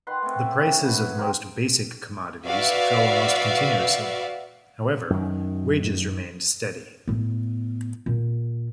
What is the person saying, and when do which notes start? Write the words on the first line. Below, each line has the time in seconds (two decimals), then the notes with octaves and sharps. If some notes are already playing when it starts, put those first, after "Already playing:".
The prices of most basic commodities fell almost continuously; however, wages remained steady.
0.07 D#3 B4 F#5 C6
0.22 C3 A3
0.40 E5
0.60 A2 G3 G#4 C#5
0.84 F#3 B4 F#5
1.18 G4 A#4 C5 F5
2.45 F#4 B4 D5 E5 F5
5.10 F#2 D#3
7.08 A2 B3
8.06 A#2